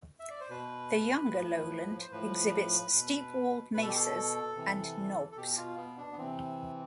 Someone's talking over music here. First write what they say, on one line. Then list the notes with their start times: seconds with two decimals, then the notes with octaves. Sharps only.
The younger lowland exhibits steep walled mesas and knobs.
0.20 E5
0.30 D5
0.41 C5
0.50 B2 B4
1.31 A2 F3
2.01 C5
2.12 A2 F3 B4
2.94 B2
3.74 B2 B4
3.82 A4
3.89 G4
3.96 A4
4.55 C3 E3
5.32 A4
5.37 B2 G4
5.57 F4
5.78 B3
5.97 D4
6.12 B3
6.17 C3 E3 C4